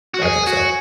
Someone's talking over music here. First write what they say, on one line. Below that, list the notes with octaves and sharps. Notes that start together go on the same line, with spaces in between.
I think so.
F#4
G#4 G#5
F#4